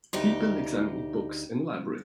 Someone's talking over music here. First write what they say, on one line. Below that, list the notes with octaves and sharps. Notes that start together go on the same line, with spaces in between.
People examine books in a library.
D2 D#4 G4